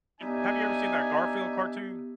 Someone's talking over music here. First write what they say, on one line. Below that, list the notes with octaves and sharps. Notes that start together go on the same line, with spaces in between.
You have ever seen that Garfield cartoon?
B3 D4 D#4 G4 E5 G#5